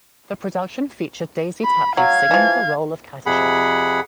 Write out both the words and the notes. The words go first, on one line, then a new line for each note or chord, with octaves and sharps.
The production featured Daisy Tapley singing the role of "Katisha".
B5
F#3 F5 G#6
E3 F3
F2 C3 G#4 F#5 B5